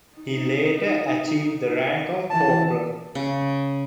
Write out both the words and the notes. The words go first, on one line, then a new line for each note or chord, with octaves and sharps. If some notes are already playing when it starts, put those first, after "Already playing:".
He later achieved the rank of corporal.
D#4
E3 A5
C#3